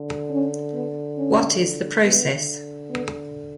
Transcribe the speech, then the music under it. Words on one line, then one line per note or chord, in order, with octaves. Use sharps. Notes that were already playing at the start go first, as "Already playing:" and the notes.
What is the process?
Already playing: D3
C#4
B3
C#4
D3 B3
B3